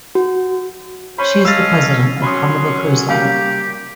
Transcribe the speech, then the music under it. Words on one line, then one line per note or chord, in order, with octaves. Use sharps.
She is the president of Carnival Cruise Line.
F#4
C#4 C5 B5
C#4 A4 D#5 F5 E6 A6
F#3 C#4 B5 C6 D#6
G3 A#3 G4 F5